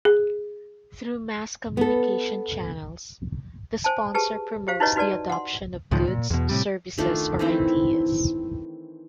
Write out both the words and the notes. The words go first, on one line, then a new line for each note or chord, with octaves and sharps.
Through mass communication channels, the sponsor promotes the adoption of goods, services or ideas.
G#4
B3 A4
C5 G#5 A5
G4 G#4 B4 A5
G4 C5 F5
D#4 E4 F#4 B4 C#5 D#5
D#4 F#4 B4 D5 A5
F#5 C6
C#2 A2 D#3 F3
A#2
E2 B2
A2 C3 G3
D#3 A3 D4 F4
D#3 E3 C4 E4